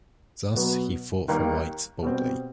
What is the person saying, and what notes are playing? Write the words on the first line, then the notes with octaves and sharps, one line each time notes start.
Thus he fought for rights boldly.
B2 F#3 B3
D#2 D#3 G3 A#3
B2 G3 C4